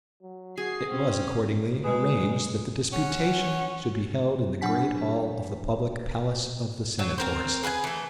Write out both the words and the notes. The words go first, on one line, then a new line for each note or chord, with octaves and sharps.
It was, accordingly, arranged that the disputation should be held in the great hall of the public Palace of the Senators.
F#3
F#4 G#4 G#6 C7
C4 C#4
G#3 G#4 B4
C#4 F#5
F#3 D4 F#5 G#5 B6
F#3
C4 A#4 C5
G#4 B4 F5 G#5
E3 A3